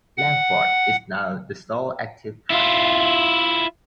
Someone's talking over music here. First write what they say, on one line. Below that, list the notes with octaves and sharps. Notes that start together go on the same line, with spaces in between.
Langford is now the sole active partner.
F#5
E4 F4